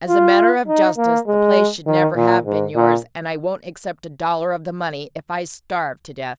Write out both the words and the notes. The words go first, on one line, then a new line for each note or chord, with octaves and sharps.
"As a matter of justice, the place should never have been yours, and I won't accept a dollar of the money if I starve to death!"
F4
D#4
A#3
G#3
D#3
A#2
G#2
A#2